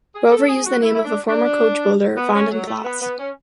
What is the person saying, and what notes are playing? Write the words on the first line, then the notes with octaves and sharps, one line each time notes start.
Rover used the name of a former coachbuilder, "Vanden Plas".
G#4
A4
G#4
F#4
E4
E4
D4
D4
B3
C#4
F#3
A3
B3
B3
C#4